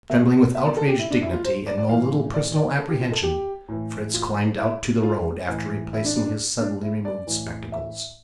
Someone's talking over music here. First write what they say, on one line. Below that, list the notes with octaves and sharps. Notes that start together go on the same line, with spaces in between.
Trembling with outraged dignity and no little personal apprehension, Fritz climbed out to the road after replacing his suddenly removed spectacles.
B2 E5
E5
D5
A4
G4
E4
D4
E4
F4
C5
D5
D5
A2 E3 F5
D5
D5
A4
G4
F4
A4
G4
A2 E3
F4
E4
F4
A2 E3
E4
D4
D4
D4
D4
E4
D5
A2 E3
E5